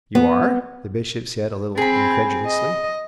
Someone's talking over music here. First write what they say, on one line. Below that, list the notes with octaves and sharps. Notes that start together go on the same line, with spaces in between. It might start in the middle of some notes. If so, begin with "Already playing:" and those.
"You are?" the Bishop said a little incredulously.
B3
C4 G#4 B5
D#5